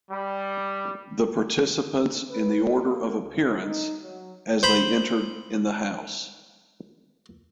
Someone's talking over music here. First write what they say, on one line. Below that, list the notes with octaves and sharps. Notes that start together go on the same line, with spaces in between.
The participants in the order of appearance as they entered in the house.
G3
D3
B4
A#3
C#2
D#4
F#3
C5 B5